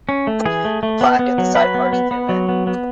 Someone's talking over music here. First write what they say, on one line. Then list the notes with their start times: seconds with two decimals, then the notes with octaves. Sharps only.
A plaque at the site marks the event.
0.09 C#4
0.27 A3
0.45 E3 G#4
0.65 A3
0.83 A3
1.01 B3
1.19 B3
1.38 F#3
1.55 F#3 B4
1.75 B3
1.93 B3
2.11 B3
2.29 F#3
2.49 B3
2.67 B3